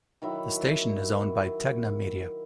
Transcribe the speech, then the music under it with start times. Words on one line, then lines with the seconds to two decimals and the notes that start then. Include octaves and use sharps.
The station is owned by Tegna Media.
0.22 D#3 F#3 E4